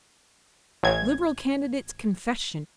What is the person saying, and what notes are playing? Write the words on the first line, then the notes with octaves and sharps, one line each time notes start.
Liberal Candidate's Confession.
A1 G#6